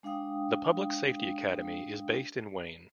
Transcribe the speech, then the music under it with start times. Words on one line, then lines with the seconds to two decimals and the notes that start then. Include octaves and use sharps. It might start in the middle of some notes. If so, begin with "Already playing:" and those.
The Public Safety Academy is based in Wayne.
0.03 G#3 D4 F5 G5 D#6